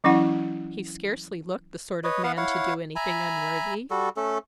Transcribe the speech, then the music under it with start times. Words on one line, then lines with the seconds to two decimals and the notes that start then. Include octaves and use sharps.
He scarcely looked the sort of man to do anything unworthy.
0.04 E3 F#3 C#4 E4 F#5
2.04 B4 C#5 D#5
2.24 B3 B4 F5 F#5
2.37 E4 C#5 F5 F#5
2.96 E5 G#5 A#5 B5
3.90 G3 F#4 A4
4.17 A3 C#4 A4